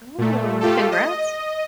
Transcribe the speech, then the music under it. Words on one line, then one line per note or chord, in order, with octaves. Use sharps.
Ooh, congrats.
A#2 A3
A3 F4 G4 A4
D#5